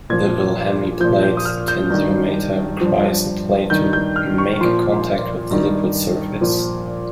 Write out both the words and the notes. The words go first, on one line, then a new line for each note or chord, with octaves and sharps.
The Wilhelmy Plate tensiometer requires a plate to make contact with the liquid surface.
A#2 F3 G#6
A#2 F3 G6
G6
D#6
F6
G6
G2 D#3
G2 F3
G2 D#3 G6
G6
F6
C#6
A#2 F3 C6
G2 D#3
A#2 F3